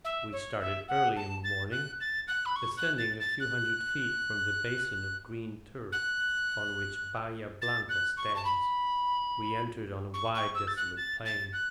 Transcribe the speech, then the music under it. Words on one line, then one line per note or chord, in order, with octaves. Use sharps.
We started early in the morning; ascending a few hundred feet from the basin of green turf on which Bahia Blanca stands, we entered on a wide desolate plain.
E5
C#5
E5
F#5
A5
A6
F#6
A6
F#6
B5
C#6
F#6
A6
A6
F#6
F#6
A6
F#6
C#6
A5
B5
C#6
C#6
E6
A6
F#6
A6
A6
F#6